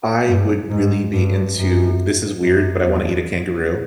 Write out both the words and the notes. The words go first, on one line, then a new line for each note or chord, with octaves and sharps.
I would really be into this is weird, but I wanna eat a kangaroo.
G2
G#2
G2
F#2
F#2
E2